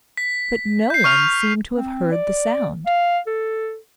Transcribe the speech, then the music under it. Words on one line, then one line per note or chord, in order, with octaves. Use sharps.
But no one seemed to have heard the sound.
B6
G6 C7
C#6 F6 F7
C4
D5
F5
A4